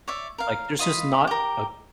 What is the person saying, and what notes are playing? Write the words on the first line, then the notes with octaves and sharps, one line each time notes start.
Like there's just not a
C#5 D5 E5
A#4 F5
F4 D#5 F5 B5
G4 A#4